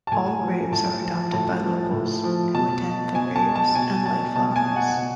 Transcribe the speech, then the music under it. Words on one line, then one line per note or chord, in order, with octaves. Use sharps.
All graves are adopted by locals, who attend the graves and lay flowers.
A5
A2 G#5
F3
A2 A5
F3
A2 A5
F3
A2
F3
B2 A5
B2 G#5
A5
A5
B2 G#5
A5
B2 A5
G#5
F#5
B2